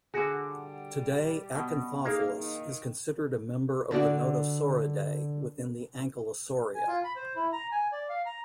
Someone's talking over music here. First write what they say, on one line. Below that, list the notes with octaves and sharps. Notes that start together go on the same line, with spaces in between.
Today "Acanthopholis" is considered a member of the Nodosauridae within the Ankylosauria.
D3 F#4 G#4
G3
B2
A#3 D#4 G#4 F5
D#3
D3 D4 F#4 D5
G#5
F4
B5
C5
E4
A#5
G#5
D5
F5
A#5